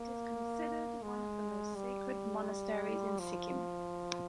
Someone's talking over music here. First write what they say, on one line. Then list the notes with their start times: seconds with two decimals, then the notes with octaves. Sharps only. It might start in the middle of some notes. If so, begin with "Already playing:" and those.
It is considered one of the most sacred monasteries in Sikkim.
Already playing: A#3
1.03 G#3
1.76 G3
3.19 F3